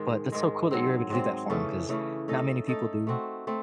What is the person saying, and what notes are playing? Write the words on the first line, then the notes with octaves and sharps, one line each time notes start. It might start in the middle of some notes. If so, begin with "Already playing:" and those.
But that's so cool that you're able to do that for 'em 'cause not many people do.
Already playing: G#2 D#3 G#3
G#2 D#3 G#3
G#2 F#3 C4
G#2 F#3 C4
C#3 E3 A3 C#4
C#3 E3 A3 C#4
A3 D#4 A4 D#5
A3 D#4 A4 D#5
A3 C4 F#4
A3 C4